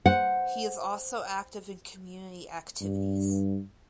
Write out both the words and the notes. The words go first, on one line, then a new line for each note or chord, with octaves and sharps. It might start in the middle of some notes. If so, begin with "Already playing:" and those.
He is also active in community activities.
C5 F#5
G2